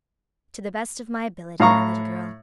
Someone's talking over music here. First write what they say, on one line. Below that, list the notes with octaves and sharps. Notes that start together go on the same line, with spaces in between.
"To the best of my ability, my little girl."
A2 F5 A#5 C#6